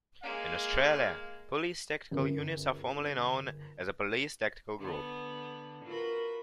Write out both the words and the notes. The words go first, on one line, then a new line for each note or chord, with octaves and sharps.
In Australia, police tactical units are formally known as a police tactical group.
G#3 A#3 F5
G1 F#2 C#3 A#4
D3 B3
F4 F#4 A#4 B4 B5